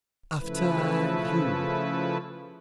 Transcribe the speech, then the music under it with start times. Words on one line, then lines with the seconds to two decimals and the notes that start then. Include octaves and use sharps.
"After you!"
0.40 C#3 F3 A3 E4 B4